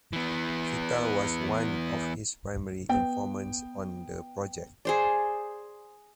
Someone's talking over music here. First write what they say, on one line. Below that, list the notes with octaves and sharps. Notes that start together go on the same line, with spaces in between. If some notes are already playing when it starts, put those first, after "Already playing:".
Fita was one of his primary informants on the project.
E3 B3
B3 G5
G#4 C5 D5